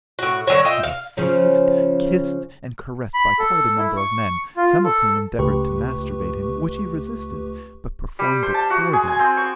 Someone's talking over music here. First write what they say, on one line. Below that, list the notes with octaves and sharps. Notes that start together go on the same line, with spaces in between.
He was seized, kissed, and caressed by quite a number of men, some of whom endeavored to masturbate him, which he resisted, but performed it for them.
A2 F#4
D3 F#3 F#4 C#5
F4 D#5 E5 G5
F5
C#3 F3 C#4
B5
A4
E4
C#6
F4
A4
C#2 A3 G4 B4 C#6
G3
C5
A5
F#4
G#4
G#5
C4
C#6